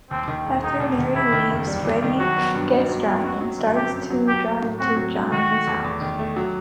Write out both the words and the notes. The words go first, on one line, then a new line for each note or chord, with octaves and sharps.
After Mary leaves, Freddy gets drunk and starts to drive to John's house.
D#2 C4
D#3
E1
E1 D#4
D#2
D#3
E2 E4
D#3
F#1
G3
E2
D#3
F#3 F#4
B3
G2
D#4
F#3
B3
F#2 F#4
F#3
G1
C4 G4
F#2
F#3
F#3 G4
A3
A2
C4 F#4
F#3
A3
D#3 F#4
A3
E2
E2
D#3
A3
F#3